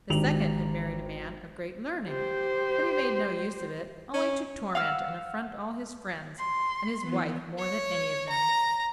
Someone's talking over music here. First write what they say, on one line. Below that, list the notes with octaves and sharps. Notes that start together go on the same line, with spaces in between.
The second had married a man of great learning; but he made no use of it, only to torment and affront all his friends, and his wife more than any of them.
G#1 D4 G4 A#5 F7 F#7
G4 C5
C#4
F5 F#5 E6 F6
C6
E3 B3
C#5
A#5